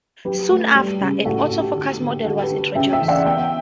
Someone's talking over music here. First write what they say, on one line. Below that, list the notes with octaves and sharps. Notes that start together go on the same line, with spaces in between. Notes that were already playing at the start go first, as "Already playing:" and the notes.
Soon after, an Auto-focus model was introduced.
F#3 G4 B4
A3
G3
C#3
A2 F#4 A4
F#4
A2
G4
D3
D3
D3 F#4 A4
G4 B4
D3
C#3 E5 G5
E5 G5
E3
D5 F#5
B3 E5 G5